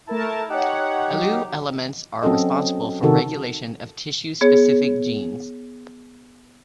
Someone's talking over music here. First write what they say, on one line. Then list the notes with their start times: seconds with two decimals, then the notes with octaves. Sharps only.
"Alu" elements are responsible for regulation of tissue-specific genes.
0.07 A3 E4 A#4 A5
0.49 D#4 G4 C#5 F#5
1.12 F#3
2.23 F#3 C4 C#4 A4 D#5
3.03 C3 D#3 F#4 A4 A#4
4.41 B3 G#4 C#5